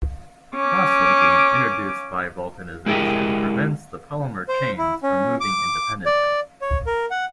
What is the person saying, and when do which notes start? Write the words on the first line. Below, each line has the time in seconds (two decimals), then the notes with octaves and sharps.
Crosslinking introduced by vulcanization prevents the polymer chains from moving independently.
0.55 C#4 D6
2.86 G#3 E4 G4 A#4 D#5
4.48 C5
4.78 E4
5.03 C#4
5.40 D6
6.06 D5
6.62 C#5
6.87 A#4
7.11 F#5